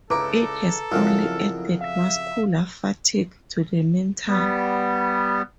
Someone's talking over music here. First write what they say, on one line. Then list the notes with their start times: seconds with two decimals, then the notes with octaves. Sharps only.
It has only added muscular fatigue to the mental.
0.10 C#2 E4 A4 B4 A#5 D6
0.92 F2 C#3 F#3 E4 F4 A#4 E6 F6
1.81 E5 F5
4.27 G3 B3